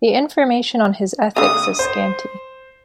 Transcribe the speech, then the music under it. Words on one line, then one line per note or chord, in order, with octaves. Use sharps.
The information on his Ethics is scanty.
D3 F5 D#6
C5